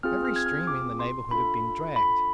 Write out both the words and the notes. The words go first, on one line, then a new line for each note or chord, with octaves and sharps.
Every stream in the neighbourhood had been dragged.
C4 F4 G#4 F6
F6
G#6
F6
D6
C6
D4 F4 A4 B5
B5